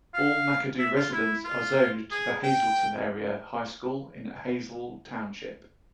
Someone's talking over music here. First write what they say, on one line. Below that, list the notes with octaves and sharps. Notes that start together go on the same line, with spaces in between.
All McAdoo residents are zoned to the Hazleton Area High School in Hazle Township.
F5
E5
F4
E4
F4
G#4
G5